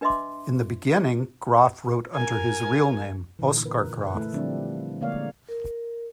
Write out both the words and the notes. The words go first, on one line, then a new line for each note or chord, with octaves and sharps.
In the beginning Graf wrote under his real name Oskar Graf.
D4 B4 D#5 E5 C6 D6
A#4 G#5
A#2 D3 E3
A#4 B4
B4
A3 E4 A4
D3 F3 G3 C4 D4
D3 G#3 A#3 C#5 D5 F5
A#4